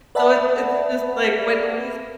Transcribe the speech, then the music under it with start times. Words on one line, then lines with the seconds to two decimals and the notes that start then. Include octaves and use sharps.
So it's it's just, like, when he's
0.15 B4 D5 E5 F#5 A5 B5